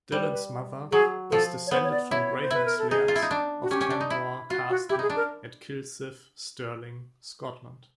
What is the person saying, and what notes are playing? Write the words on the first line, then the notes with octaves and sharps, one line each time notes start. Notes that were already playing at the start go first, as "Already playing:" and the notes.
Dillon's mother was descended from Grahams Lairds of Tamrawer Castle at Kilsyth, Stirling, Scotland.
G3 C5
B4
B4
F#3 G#4
F3 A4
C#5
B3 C5
C#5
D5
E4 C#5
C5
E4 B4
A#4
A4
D#4 G#4
F4
E4
D#4
D4
F#4
C#4 G4
C#4
D4
D#4
E4
F4 F#4
F#4
E4 G4
D#4 G#4
D4
A#4